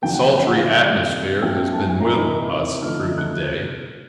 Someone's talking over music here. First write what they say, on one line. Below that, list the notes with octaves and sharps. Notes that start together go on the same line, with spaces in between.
A sultry atmosphere has been with us through the day.
F2 D3 F#3 A#3 G5
F#5
G5
G5
F#5
F5
E5
C3 D#3 G3 C4 D#4 F5
B2 F#3 A3 C#4 G5
A5
G#5
G#5
A#5
C3 E3 A3 C4 D#4 B5
D3 F3 A3 C4 D#4 F6
F#6